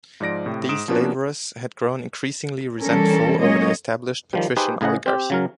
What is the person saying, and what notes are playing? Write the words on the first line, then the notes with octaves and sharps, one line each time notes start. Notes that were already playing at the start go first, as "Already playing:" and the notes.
These labourers had grown increasingly resentful over the established patrician oligarchy.
G#2 F3 D5 A#6 D7
A2 C3
G#2 D#6 D7 E7
F3 A#3 B3 C#4 D4 F#4
E3 G3 C#4 D4 A4 A#4
F#3 G#3 A#3 C#4 C#5 D#5
D#3 F3 G3
D#4 G4 G#4 B4 C5
A2 C#3 G#4 D#5 F#5
C4 G4
C#3 F#3 A#4